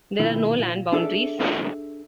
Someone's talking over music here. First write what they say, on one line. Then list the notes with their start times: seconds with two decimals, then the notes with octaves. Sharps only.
There are no land boundaries.
0.19 B1 A#2 D#3 E4
0.59 A#2
0.92 D4 G#4 A4 C5 D5 E5